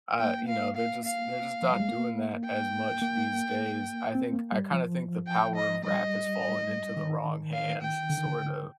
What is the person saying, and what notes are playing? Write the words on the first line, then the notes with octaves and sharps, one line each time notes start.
uh, you know, they're just they're just dot doing that as much these days, I think I kinda think the power of rap has fallen into the wrong hands, sort of.
A#3 G5
F5
F5
F5
F3
G3
G#3
A#3
G5
A#3
C4
A#3
G3
F3
G5
D#5
G3 D#5
D#3
F5
G5
D3
D#3
D3